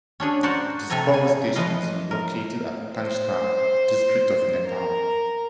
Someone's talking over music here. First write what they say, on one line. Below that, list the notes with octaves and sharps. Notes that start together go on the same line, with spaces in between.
This power station is located at Panchthar district of Nepal.
C#4 D4 G#4 C#5
F#4 A#4 C5 D5 F#5
C3 A4 E5 G#5 A#5
G#5
E3 F3 B4 D#5 F5
A#4
C5
A#4